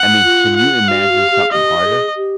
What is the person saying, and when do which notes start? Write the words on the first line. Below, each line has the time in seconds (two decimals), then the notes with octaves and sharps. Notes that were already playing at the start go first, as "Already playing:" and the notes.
I mean, can you imagine something harder?
Already playing: F#5
0.24 F4
0.56 F#5
0.88 F#4 F5
0.99 G4
1.10 F#4
1.20 G4
1.31 G4
1.41 G#4
1.53 G4 D#5
1.84 G#4
2.17 G4